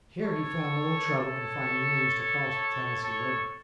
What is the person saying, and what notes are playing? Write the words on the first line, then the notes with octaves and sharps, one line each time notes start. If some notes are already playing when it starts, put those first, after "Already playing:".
Here he found little trouble in finding means to cross the Tennessee River.
A4 C#5
A4 C#5
A4 C#5